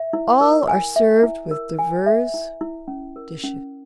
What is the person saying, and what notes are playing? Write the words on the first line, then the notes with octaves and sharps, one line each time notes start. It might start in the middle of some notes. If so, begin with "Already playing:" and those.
All are served with divers dishes.
Already playing: E5
E4
A#4
G#5
E5
E4
A#4
G#5
E5
E4
E4
C#4
A#4
C#4